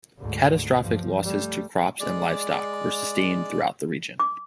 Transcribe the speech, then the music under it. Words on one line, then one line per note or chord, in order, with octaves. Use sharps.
Catastrophic losses to crops and livestock were sustained throughout the region.
D2 G#2
G2 F3
G3 A3
G#3 D5
D6